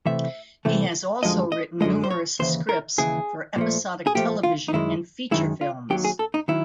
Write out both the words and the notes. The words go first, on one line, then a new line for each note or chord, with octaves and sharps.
He has also written numerous scripts for episodic television and feature films.
C3 E3 A3 E5
C3 E3 A3
F#2 D3 F3 G#3 D#5
D#5
F#2 D3 F3 G#3 D#5
C5
C#5
D#2 C#3 E3 C5
A#4
D#2 C#3 E3 G#4
A#2 F3 A3
G#4
A#2 F3 A3 G4
F4
D#4
F#2 D#3 G#3 E4
F#2 D#3 G#3 E4
F4
D#2 D#3 F#3 G4
G#4
A4
D#4
D#3 F#3 E4